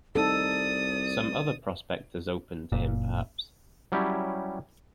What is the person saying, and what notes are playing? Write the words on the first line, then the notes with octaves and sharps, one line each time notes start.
Some other prospect has opened to him, perhaps?
C2 D#4 A4 D5 D#6
F#1 A#2
F#3 G3 C#4 E4 G4